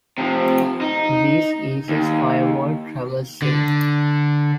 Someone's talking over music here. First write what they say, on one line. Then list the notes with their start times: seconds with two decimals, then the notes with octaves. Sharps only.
This eases firewall traversing.
0.18 C3 F3
0.81 D#4
1.89 D#2
3.42 D3